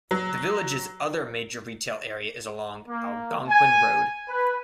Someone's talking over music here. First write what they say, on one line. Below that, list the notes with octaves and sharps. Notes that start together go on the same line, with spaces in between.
The village's other major retail area is along Algonquin Road.
F#3
A#3
G#5
B4